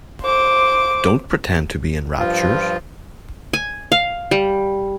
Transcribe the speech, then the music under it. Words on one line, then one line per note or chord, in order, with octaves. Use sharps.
Don't pretend to be in raptures.
C5 D6
G2 F3 F4
G#5
F5
G3